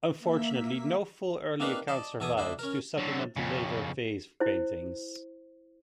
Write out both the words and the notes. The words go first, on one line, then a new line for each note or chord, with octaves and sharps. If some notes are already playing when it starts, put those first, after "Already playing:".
Unfortunately no full early account survives, to supplement the later vase-paintings.
A#3 E5 B6
A#3 C4 D4 D#4 B4 F5
D5 D#5 A5
E2 B2 A4 G#5 D6 D#6
D2 D4 E4 C5 D#5 B5
C#4 A#4
D3 F#3
F2 C#3
E4 C5